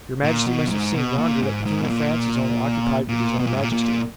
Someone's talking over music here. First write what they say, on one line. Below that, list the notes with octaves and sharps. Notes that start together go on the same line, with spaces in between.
"Your majesty must have seen yonder that the king of France is only occupied with his own majesty."
A#2
B2
F#2
G#2
B2
A#2
G#2
G#2
B2
A#2
A#2
B2
A#2
G#2
A#2
A#2